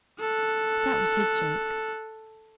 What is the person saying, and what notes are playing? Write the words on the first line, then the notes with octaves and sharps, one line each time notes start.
'That was his joke.
A4 F#6